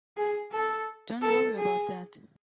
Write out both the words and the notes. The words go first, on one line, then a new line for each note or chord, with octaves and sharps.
Don't worry about that.
G#4
A4
A4
G#4